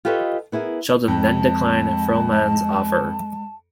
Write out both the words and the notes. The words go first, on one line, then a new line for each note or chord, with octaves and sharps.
Sheldon then declined Frohman's offer.
F4 G4 A4 B4 C#5 D#5
B3 E4 G#4 A#4
F2 G#3 A5